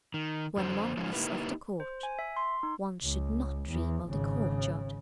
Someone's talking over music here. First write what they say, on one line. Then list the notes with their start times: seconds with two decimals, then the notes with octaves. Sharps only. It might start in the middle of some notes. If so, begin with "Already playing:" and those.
When one is of the court, one should not dream of the courtyard.
0.14 D#3
0.57 F2 D3 C5
0.97 F3 F#3 G#3 C#4 D#4 F4
1.13 A#3 D#4 E4 G4 B4
1.80 C5
2.03 G#5
2.19 E5
2.37 C6
2.63 D#4
3.03 C#2
3.71 E2
4.08 G#1 C#3